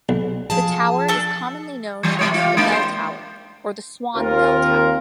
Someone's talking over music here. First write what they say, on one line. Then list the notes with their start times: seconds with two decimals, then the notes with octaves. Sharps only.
The tower is commonly known as The Bell Tower or the Swan Bell Tower.
0.09 B1
0.50 F3 G#4 A5
1.08 D4 A4
2.03 E3 G3
2.19 C3 G#3 C#5
2.34 F4 G4
2.57 G#3 A#3 D4
2.72 C5
4.16 D#2 C4 F4 A#4